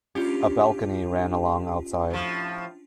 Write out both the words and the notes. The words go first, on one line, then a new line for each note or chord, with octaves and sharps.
A balcony ran along outside.
C#4 D4 F4 G4
A2 F3